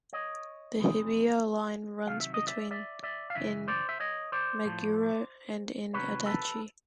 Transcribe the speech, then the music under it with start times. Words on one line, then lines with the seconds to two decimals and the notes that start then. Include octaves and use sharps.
The Hibiya Line runs between in Meguro and in Adachi.
0.13 C#5 D#5
0.77 F2 C3 E3 G#3
2.06 C3 D#3 F#3 F5
2.21 E5
2.34 D#5
2.47 D5 E5
2.71 D5 E5
3.04 D5 E5
3.30 F5
3.35 F#2 C#3 E3 E5
3.68 C5 D5
3.89 E5
4.00 C#5 D#5
4.32 C5 D5
4.65 A2 F3 A3
5.93 C3 D#3 F#3 B4 C#5
6.26 A4 B4